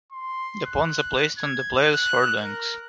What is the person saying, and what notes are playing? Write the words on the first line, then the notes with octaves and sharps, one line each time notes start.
The pawns are placed on the players' third ranks.
C6
F#6
G#6
F#6
A#4